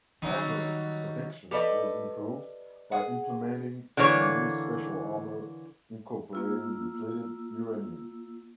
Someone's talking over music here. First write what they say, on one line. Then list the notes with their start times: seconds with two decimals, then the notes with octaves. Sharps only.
Armor protection was improved by implementing a new special armor incorporating depleted uranium.
0.22 D#3 F#3 G3 D#4
1.51 G4 A4 B4 D5 D#5
2.92 G#4 F#5
3.97 D3 E3 A#3 C#5
6.33 A#3 F4 E6